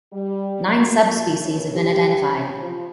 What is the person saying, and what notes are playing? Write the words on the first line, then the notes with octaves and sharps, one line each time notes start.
Nine subspecies have been identified.
G3
F#2
A#2
C#3
G4
C#4
F3